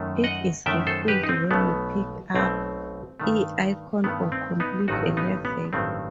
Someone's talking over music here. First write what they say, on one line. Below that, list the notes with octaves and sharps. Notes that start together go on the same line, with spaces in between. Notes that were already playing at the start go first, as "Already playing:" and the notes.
It is refilled when you pick up "E" icons or complete a level.
Already playing: F#2 D#3 A3
D#5 F#5
F#2 D#3 A3 E5 G5
A4 C5
G4 B4
D#4
C4
B1 B2 A3 B3
B1 B2 A3 C4
G2 D#3 A3
G2 D#3 A3 B3
C4
B3 D#4
A1 G2 D#3 F#3 A3 D#4 F#4
B3 D#4
B3
A1 G2 D#3 F#3 A3 C4